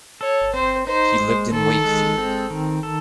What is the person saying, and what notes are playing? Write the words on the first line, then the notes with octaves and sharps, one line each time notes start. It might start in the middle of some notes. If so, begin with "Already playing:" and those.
He lived in Wakefield.
A4 C#5
C4 C5
D#4 C5
G#3
D#3 A4
G#3
C4
D#3
A4